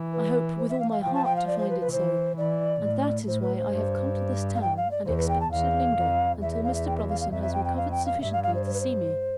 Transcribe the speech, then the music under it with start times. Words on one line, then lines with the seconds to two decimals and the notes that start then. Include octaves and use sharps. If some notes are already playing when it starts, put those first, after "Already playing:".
I hope with all my heart to find it so, and that is why I have come to this town and expect to linger till Mr. Brotherson has recovered sufficiently to see me.
Already playing: E3
0.12 B4
0.57 C5
0.69 E5
0.79 F5
0.90 F5
1.01 F3 G5
1.14 A5
1.24 G5
1.36 F5
1.46 D5
1.58 C5
1.69 B4
1.80 B4
1.92 E3 C5
2.36 E3 D5
2.82 A2
3.27 A2 C5
3.41 B4
3.56 C5
3.71 G2
4.54 F5
4.61 G5
4.76 F5
4.90 D5
5.05 E2 C5
5.17 B4
5.28 G5
5.40 A5
5.51 E2 F5
5.96 F2
6.41 E2 E5
6.52 E5
6.63 F5
6.74 E5
6.86 G5
6.96 E5
7.08 F5
7.20 F5
7.31 F2 E5
7.42 E5
7.53 G5
7.64 G5
7.76 F5
7.91 G5
8.05 F5
8.20 G2 E5
8.32 F5
8.43 F5
8.54 C5
8.66 C5
8.73 B4
8.80 C5